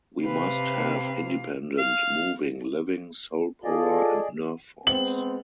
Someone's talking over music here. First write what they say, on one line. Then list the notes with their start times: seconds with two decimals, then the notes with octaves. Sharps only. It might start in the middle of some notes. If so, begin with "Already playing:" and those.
We must have independent, moving, living soul power and nerve force.
0.23 C3 C4 B4 F5
1.78 F5
3.64 F4 G#4 A4 D5 D#5
4.87 G#3 B3 C4 F#7